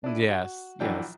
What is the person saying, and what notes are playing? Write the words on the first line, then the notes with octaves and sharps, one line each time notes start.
Yes, yes.
D4 E4
F#4
A#1 E3 F#3 D4 G5